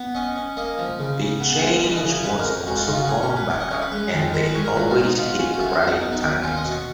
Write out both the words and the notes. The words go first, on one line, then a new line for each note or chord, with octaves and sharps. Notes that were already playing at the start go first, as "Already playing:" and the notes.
The change was also thrown back up and they always hit the right target.
Already playing: B3
C#4 D#5
C#4
A#3 D#5
F3
C#3
C#3
B3
G#3
F#2 B4
D#5
C#3
C#5
G#3 B4
A#4
F2
G#3 F#4
F4
C#3 D#4
F4
F#4
C#4 G#4
A#4
C#4
B4
C#4 C#5
D#5
C#4 C#5
B4
G#3 B4
D#3
G#3 A#4
B4
G#3 C#5
A#4
G#2 F#4
F4
G#2
D#4
B2 F4
C#4
F#4
F#2 F4
F4
F#2
D#4
B3
D#4
D#2 F#4
C#4 F4
D#5
B2
C#5